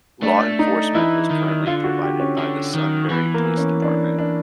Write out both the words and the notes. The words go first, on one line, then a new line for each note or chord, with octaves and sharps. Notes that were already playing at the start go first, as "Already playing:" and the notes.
Law enforcement is currently provided by the Sunbury Police Department.
A3 D4
D#4
E3 E4
D#3
D3 F4
F#4
G4
C#4
D3
D#3
E3 B3
A#3
C#4
D4
D4